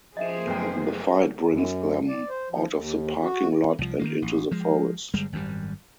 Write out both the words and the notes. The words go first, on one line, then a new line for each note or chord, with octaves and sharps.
The fight brings them out of the parking lot and into the forest.
F3 G#4 C5 D#5 E5
F#1 F#2 A3 B3 G5
F#2
D5
C5
F3
D#2
F#4
C2 F3
D#3 E3 A#3
A1
F3 G#3
G1 G3 G#3
G#1 F#2 A2 G3